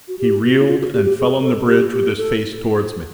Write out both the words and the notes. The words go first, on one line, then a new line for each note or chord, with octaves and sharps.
He reeled and fell on the bridge with his face toward me.
F#4
G4
F#4
E4
F4
F#4
G4
G4
G#4
A4
G4
G4
A4